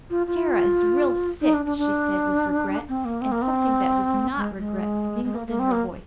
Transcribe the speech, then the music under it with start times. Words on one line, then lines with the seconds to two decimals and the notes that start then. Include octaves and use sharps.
"Sara is real sick," she said, with regret, and something that was not regret mingled in her voice.
0.10 F4
0.27 F4
1.41 D#4
1.54 D4
1.66 D4
1.78 D4
2.89 C4
3.05 A#3
3.21 C4
3.32 A#3
3.42 C4
4.36 G#3
4.58 G#3
5.24 G#3
5.35 A#3
5.47 A#3
5.59 C4
5.72 A#3